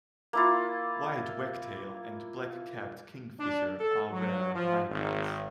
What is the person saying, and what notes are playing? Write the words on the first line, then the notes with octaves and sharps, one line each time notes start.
White wagtail and black-capped kingfisher are rare migrants.
A#3 E4 F4
D4
A4
F#3
F3
G#1